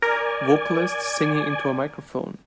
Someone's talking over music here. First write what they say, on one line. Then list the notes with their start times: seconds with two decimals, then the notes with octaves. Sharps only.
Vocalist singing into a microphone.
0.02 A#4 D5 G#5